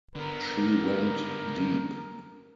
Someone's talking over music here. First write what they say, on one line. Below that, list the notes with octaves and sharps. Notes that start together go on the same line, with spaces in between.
She went deep.
D3 B3 A#4